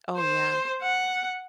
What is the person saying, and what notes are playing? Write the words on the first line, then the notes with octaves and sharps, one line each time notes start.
Oh yeah.
C5
F#5